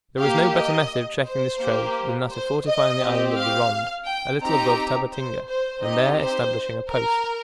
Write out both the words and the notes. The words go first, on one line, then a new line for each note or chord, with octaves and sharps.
There was no better method of checking this trade than that of fortifying the Island of the Ronde, a little above Tabatinga, and there establishing a post.
A#3 G4 F5
D#5
C5
A#3 G4
C5
D#5
C4 G4
F5
G5
C4 D#4 G4 A#5
C5
C5
C4 D#4 G4 D#5
C5
A#4